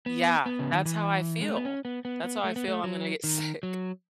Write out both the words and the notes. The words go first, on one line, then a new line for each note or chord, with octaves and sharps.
Yeah, that's how I feel. That's how I feel I'm gonna get sick.
B3
B3
C#3
D#3
E3
G#3
A3
B3
C#4
B3
B3
B3
A3
B3
A3
F#3
D#3
F#3